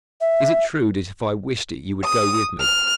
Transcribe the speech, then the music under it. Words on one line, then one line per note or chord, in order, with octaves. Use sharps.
"Is it true that if I wished it you would go with me?"
E5
D#6
F6